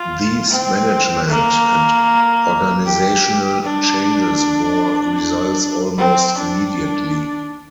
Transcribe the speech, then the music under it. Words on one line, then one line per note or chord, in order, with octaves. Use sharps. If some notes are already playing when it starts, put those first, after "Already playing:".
These management and organisational changes bore results almost immediately.
Already playing: F4
C4
A#3
G4
D4
C4
D4